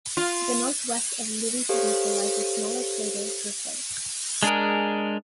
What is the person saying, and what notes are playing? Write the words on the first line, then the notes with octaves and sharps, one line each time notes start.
To the northwest of Levi-Civita lies the smaller crater Pirquet.
F4
G4 A4 C5 C#5 F5
G#3 D4 G#4 A#4